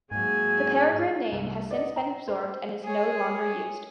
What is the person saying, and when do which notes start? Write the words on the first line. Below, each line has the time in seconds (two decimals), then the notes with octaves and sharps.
The Peregrine name has since been absorbed and is no longer used.
0.11 G#2 F#3 A#3 G#4 G#5
1.32 C2
1.71 D5 D#5
1.96 A#5
2.27 C5
2.84 G#4 C#5